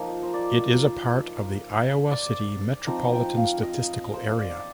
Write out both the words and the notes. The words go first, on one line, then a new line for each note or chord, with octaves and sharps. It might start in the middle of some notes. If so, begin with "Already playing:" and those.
It is a part of the Iowa City Metropolitan Statistical Area.
Already playing: F3 A#3 D#4
D#5
C5
D5
D5
F3 C4 D#4 A#5
G5
F5
D#5
C5
D5